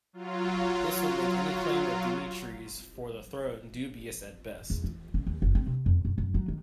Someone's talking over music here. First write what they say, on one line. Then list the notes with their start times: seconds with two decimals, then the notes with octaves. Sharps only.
This would make any claim of Dmitry's for the throne dubious at best.
0.13 F#3 F4
4.70 E2
4.84 E3
5.14 C#3
5.27 D#2
5.42 F#1
5.55 C4
5.67 C3
5.86 F2
6.05 F#2
6.18 F#2
6.34 F#3
6.48 D#3